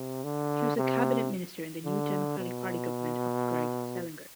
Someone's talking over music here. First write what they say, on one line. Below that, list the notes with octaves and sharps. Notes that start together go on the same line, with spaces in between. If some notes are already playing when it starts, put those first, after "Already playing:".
She was a cabinet minister in the New Democratic Party government of Greg Selinger.
Already playing: C3
D3
C3
D3
B2